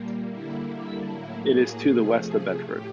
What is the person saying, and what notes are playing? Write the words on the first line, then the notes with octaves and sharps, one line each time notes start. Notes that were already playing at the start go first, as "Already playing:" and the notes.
It is to the west of Bedford.
Already playing: A#2 G3 A#3
D3 G3 A#3 E4
E4
A2 F#3 A#3
G#4
C3 F3 A3
G#4
A2 G4